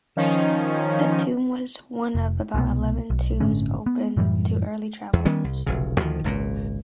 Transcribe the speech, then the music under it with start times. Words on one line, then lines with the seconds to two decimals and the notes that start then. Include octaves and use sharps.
The tomb was one of about eleven tombs open to early travelers.
0.17 D#3 F3 C#4 D#4
2.15 F1
2.54 C2 B2 D#3 B3
3.10 B1
3.40 G1 A2 D3 C#4
3.86 B3
4.17 F#2 A2 E3 G3
5.13 E2
5.25 D#3 G3 B3 C#4
5.44 C2
5.66 F1 B1 C#3
6.00 D2 D#3 F3
6.24 G#1 C#2 A#2